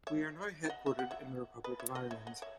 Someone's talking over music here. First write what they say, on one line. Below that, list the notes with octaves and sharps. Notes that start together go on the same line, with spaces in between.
We are now headquartered in the Republic of Ireland.
C#5 E5
E5
D#5 F#5
E5
F#5
C#5 E5
B4 D#5
C#5 E5
D#5 F#5
C#5 E5
D#5 F#5
C#5 E5